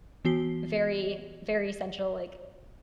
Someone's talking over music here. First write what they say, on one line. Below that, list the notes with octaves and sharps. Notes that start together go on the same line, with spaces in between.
very, very central, like,
E3 B3 F#4 C7 G7